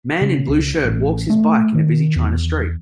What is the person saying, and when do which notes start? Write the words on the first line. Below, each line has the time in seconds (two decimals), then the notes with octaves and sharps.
Man in blue shirt walks his bike in busy China street.
0.21 C#3
0.48 C#2
0.85 A1
1.30 A3
1.75 D#3
2.16 E2